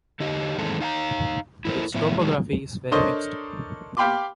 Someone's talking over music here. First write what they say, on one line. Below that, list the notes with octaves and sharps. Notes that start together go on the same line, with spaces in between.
Its topography is very mixed.
D3 D#4 G4 D#5
E2 G#2 D#3 G#3 C4 A4
D#4 F5 G#5 A#5
E4 A4 A#4 C5
A2 F3 B3 E4
C3 D#3 F#3 G#3
D4 A4 A#4 C5 C#5 D#5
G4 F5 G5 B5 C6 D6